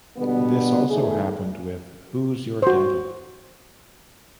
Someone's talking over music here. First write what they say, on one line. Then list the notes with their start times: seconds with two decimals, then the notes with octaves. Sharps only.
This also happened with Who's Your Daddy?
0.17 B2 D3 G3 B3
0.89 D#3 A3 D#4 G#4
2.62 F#4 C5